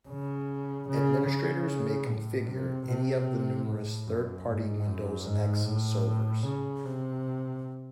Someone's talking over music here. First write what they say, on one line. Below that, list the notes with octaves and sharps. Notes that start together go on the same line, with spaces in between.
Administrators may configure any of the numerous third-party Windows X servers.
C#3
C#3
C#3
A2
C3
C3
A2
F#2
G#2
F#2
G#2
A2
C#3
C3